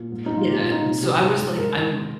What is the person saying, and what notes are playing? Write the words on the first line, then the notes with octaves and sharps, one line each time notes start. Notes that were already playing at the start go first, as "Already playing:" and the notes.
Yeah. So, I was, like, I'm
Already playing: A#2
G#2
G#2 D#4
F4
A#2 G4
F4
A#2
D#4
C3
C3 G4
G#2
G#2
G#2 A#4
G#2